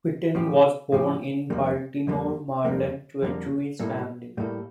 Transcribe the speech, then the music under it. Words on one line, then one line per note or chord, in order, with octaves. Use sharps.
Witten was born in Baltimore, Maryland, to a Jewish family.
A2 F3 C#4 G4
A2 F3 C#4 G4
F2 D3 G3 A#3
F2 D3 G3 A#3
F2 D3 G3 A#3
F2 D3 G3 A#3
A2 G3 A#3 E4 A4
A2 G3 A#3 E4 A4